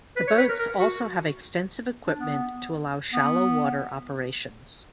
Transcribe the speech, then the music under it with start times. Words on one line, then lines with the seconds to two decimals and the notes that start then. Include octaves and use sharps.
The boats also have extensive equipment to allow shallow water operations.
0.17 B4
0.27 C#5
0.38 B4
0.49 A#4
0.59 A#4
0.79 F#4
2.07 D4
2.18 B3
3.13 B3